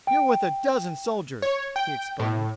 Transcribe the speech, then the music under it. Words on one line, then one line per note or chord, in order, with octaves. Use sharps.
"You're worth a dozen soldiers!" he exclaimed.
G5
C#5
G5
A2